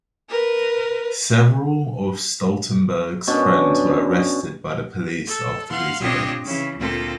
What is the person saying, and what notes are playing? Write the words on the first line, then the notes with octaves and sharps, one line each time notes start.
Several of Stoltenberg's friends were arrested by the police after these events.
A#4 B4
B2 C#4 D4
A4
F5 F#5 C6
C4 D4 F4 G4 C#5 D#5
C#3 E3
D2 A#2 C4 F4 A4 A#6